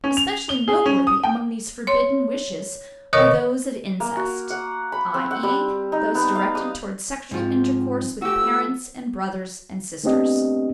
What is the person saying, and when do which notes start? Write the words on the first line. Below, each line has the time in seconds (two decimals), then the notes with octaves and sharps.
Especially noteworthy among these forbidden wishes are those of incest, i.e., those directed towards sexual intercourse with parents and brothers and sisters.
0.04 C#4
0.17 F7
0.49 G7
0.68 G#4
0.86 C#4
1.07 D#6
1.24 G5
1.87 C#5 C6
3.13 B2 D#3 A#4 C#5 D#5 C#6
4.00 A#3
4.17 F#4
4.50 F#5
4.92 B5
5.14 C4
5.31 F#5
5.43 G3
5.92 D#4
6.15 B3
6.35 F5
6.55 D#6
7.31 G#2 F3 C4
8.22 F3 A3 F#4 G4 E6
10.04 A3 B3 C4 D4 G4 D#5